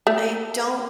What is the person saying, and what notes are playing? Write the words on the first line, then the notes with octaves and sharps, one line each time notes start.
I don't
A3